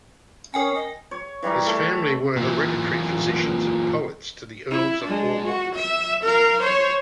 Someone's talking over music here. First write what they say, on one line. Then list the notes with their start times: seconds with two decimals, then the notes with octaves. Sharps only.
His family were hereditary physicians and poets to the Earls of Ormond.
0.54 C#4 A#4 G5 G#5
0.74 D#5
1.11 C#5
1.42 E3 G3 E4 A#4
1.66 A3 A4
2.37 A#2 E3
4.70 E4
5.03 G#3 D4
5.44 F#4
5.75 E5
6.23 A#4 F5
6.61 C5 C#5